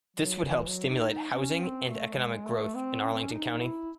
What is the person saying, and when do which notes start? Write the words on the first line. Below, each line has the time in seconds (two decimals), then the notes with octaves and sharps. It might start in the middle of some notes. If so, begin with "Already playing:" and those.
This would help stimulate housing and economic growth in Arlington County.
0.17 F#3
0.47 E3
0.67 F#3
0.89 D#4
1.10 D#4
1.32 C#4
1.61 C4
1.90 A3
2.13 F#3
2.17 G#3
2.46 A3
2.75 C4
3.04 C#4
3.12 C4
3.22 C#4
3.32 D#4
3.61 E4